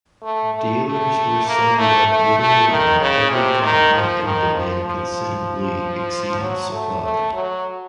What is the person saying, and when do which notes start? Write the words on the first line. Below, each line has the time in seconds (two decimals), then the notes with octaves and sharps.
Dealers were signed up literally on every continent and demand considerably exceeded supply.
0.22 A3
0.54 A3
0.85 A3
1.47 A#3
1.77 A3
2.09 A3
2.39 A3
2.69 D#3
3.00 C#3
3.32 C3
3.62 D#3
3.94 F3
4.24 D#3
4.55 F3
4.85 F3
6.40 F#3
6.71 A3
7.02 A3
7.34 F#3